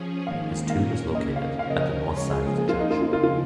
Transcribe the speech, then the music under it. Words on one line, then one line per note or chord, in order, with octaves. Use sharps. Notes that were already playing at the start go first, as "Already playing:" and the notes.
His tomb is located at the north side of the church.
Already playing: F3 C#4 G#4
G#2 D#3 A#3 F5
A#2 A#3 C#4 A#4 F5
D#2 C#3 A#3 C#4 D#5
F5
F3 C#4 A#4 F5
D#5
D#5
C#3 G#3 F4
C#5
G#4
F2 F3 A#3 G#4
G#4
F4
D#4
D#2 C#3 F3 A#3 F4
F4
F4
F4